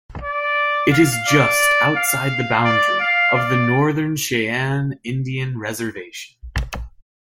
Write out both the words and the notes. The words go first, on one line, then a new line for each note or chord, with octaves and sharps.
It is just outside the boundary of the Northern Cheyenne Indian Reservation.
D5
F5
D5
F5
D5
F5
D5